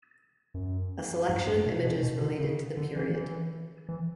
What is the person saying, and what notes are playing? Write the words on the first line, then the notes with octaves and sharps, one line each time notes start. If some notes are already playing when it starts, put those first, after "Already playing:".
A selection of images related to the period.
F#2
G2
G2
B2
B2
B2
D3
C#3
D3
E3
E3
E3